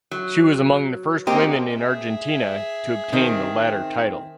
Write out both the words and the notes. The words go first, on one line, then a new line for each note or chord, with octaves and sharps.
She was among the first women in Argentina to obtain the latter title.
F#3
A#3 C4 G4 D#5
G#4 E5
D#3 C4